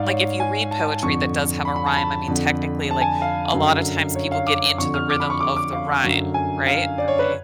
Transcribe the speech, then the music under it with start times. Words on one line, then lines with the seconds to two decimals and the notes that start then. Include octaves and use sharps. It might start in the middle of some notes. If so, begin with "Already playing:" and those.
like, if you read poetry that does have a rhyme, I mean, technically, like, a lotta times people get into the rhythm of the rhyme, right? That they
Already playing: G#2 D5 F5
0.08 C#5
0.40 G#5
0.71 A5
1.03 F2 D3 C#6
1.65 B5
1.76 B5
1.86 A5
1.97 B5
2.28 F2 D3
2.91 A5
3.01 G#5
3.22 F5
3.54 F#2 D3
4.15 C#5
4.32 F5
4.47 D6
4.78 F2 D3 C#6
4.94 F6
5.10 D6
5.20 B5
5.30 C#6
5.40 D6
5.56 D6
5.73 F5
6.04 F#2 D3
6.34 G#5
6.67 F5
6.98 D5
7.08 C#5
7.19 B4